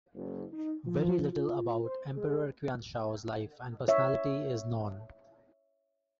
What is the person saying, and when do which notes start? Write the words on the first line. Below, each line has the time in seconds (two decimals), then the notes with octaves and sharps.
Very little about Emperor Qianshao's life and personality is known.
0.15 F#1
0.53 D#4
0.86 F3
1.32 F4
1.84 C5
2.16 G#3
3.88 C#5 E5